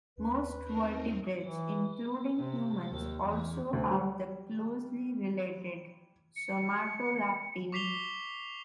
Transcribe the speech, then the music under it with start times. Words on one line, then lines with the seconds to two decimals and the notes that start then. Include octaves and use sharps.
Most vertebrates including humans also have the closely related somatolactin.
0.18 D#2 C#4 B4
0.63 C4 D#4 A#4
1.42 E3
2.37 C3
2.91 D#2
3.25 E2
3.73 D2
3.91 G3
6.36 C#7
7.72 C#6 D6 B6 C7 F7 G7